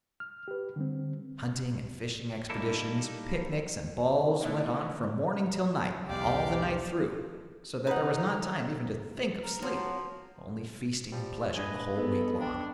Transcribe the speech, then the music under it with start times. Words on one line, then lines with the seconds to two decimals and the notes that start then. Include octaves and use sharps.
Hunting and fishing expeditions, picnics and balls went on from morning till night, and all the night through, so that there was not time even to think of sleep, only feasting and pleasure the whole week long.
0.20 F6
0.48 G4 B4
0.76 D3 G3 C4
2.50 G3 A#3 D#4 E4 A4
4.41 D3 E3 A3 A#3 D#4
6.09 B1 E2 G#3 G4 D5 F5 G5
7.87 D#4 B4 C5 F#5 A#5
9.44 A#4
9.62 F3 F#3
11.12 F3 G3
11.55 D4 B4 D#5 G#5
11.95 B3 A4
12.40 D4 G5